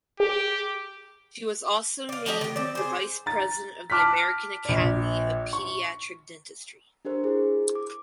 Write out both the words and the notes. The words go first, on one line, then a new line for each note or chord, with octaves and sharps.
She was also named the vice president of the American Academy of Pediatric Dentistry.
G4 G#4
D5 F5
F3 F#4 G4 D#5
D#3 G4
C4 D5
G#4 C5
A#5 A6
A5 D6 F6 F#6 B6
A#1 D5
C#6
D4 G4 A#4 C5
E4 G#4
D6